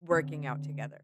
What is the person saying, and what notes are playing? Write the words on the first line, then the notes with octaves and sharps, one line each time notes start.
working out together.
D3 C4